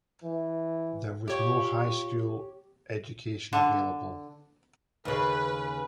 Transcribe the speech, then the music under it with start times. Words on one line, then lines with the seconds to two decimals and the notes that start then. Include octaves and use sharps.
There was no high school education available.
0.23 E3
1.28 F4 G4 C#5
3.53 D3
5.05 D#2 C#3 B4